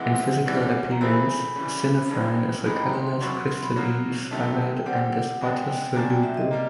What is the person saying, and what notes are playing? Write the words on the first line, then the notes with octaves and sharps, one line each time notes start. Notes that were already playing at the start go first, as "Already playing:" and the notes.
In physical appearance, synephrine is a colorless, crystalline solid and is water-soluble.
Already playing: C3 E3 G#3 F#5
G2 E3 G3
A#5
E3 A3 C4 E4 G#4 B5
C#3 E3 G3
G2 D#3 G#3 C4
D#2 D#3 G#3 B5
A#5
C6
C6
E2 B2 F#3 C#6
C6
C6
B5
B2 F#3 A#3
C3 D#3 F#3 A3 A5
G5
D3 G3 C4 F#5
C#2 B2 G#3 B3 D4 G5
D2 C#3 F#3 A#3 D4 G#5
G5
E5
D#5
G3 A#3